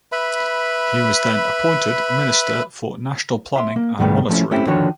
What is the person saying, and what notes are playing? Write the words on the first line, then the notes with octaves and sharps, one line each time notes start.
He was then appointed Minister for National Planning and Monitoring.
B4 E5 B5
E5 C6
A#3
C2 G#2 D#3 G3 A3 B3
F3 A3 C4 C#4 E4
A3 C4 C#4 E4 G4
D3 D#3 F3 D4 F#4 C#5